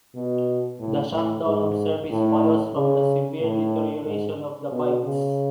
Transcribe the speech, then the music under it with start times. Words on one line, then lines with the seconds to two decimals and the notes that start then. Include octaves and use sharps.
The shutdown of service follows from the severe deterioration of the bikes.
0.15 B2
0.79 A2
1.12 A2
1.45 G#2
2.11 A2
2.75 C#3
3.41 A2
4.06 G#2
4.72 B2
5.04 C#3